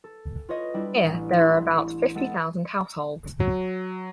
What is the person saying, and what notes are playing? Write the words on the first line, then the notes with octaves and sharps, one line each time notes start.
Here there are about fifty thousand households.
A4
F4 B4 C#5 D#5
G3 D4 E4
A1
E4 G4 C6 F#6
G#3 B3 A4
F#3